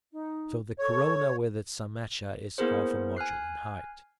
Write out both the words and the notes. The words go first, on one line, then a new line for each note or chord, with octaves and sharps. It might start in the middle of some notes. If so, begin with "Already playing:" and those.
So the corona with its cymatia is half a module in height.
D#4
A4 C#5 C#6
A#3 B3 E4 G#4 A#4 C5
G#5 F6 F#6 C7